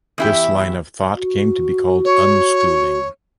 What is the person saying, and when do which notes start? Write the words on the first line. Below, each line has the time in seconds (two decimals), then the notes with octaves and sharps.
This line of thought came to be called unschooling.
0.18 E2 E4 G4
1.16 F#4
2.04 C#5